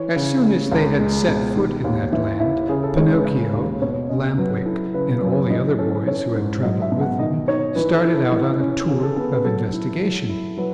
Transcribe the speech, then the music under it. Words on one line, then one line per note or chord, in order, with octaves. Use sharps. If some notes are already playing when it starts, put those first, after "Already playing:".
As soon as they had set foot in that land, Pinocchio, Lamp-Wick, and all the other boys who had traveled with them started out on a tour of investigation.
Already playing: E3 C#5
C#3
C#3
C#2
G#3
B2
D#3
D#2
E3 E5
E4 E5
C#3 G#4
A4
G#3 C#5
B4
C#3
D#2
B2 C#5
C#4 D#5
F#3 B4
E4 A4
C#3 B4
B4
F#2
B4
E3 D#5
C#4 A4
E3 C#5
G#2
F#3 D#5
E5
B2
F#5
D#3 D#5
D#4 C#5
E3 B4
A4
E4
A4
E3
C#4
C#3 G#4
A4
B3 A4
B4
F#3 A4
E4
F#3
E4
F#3 B4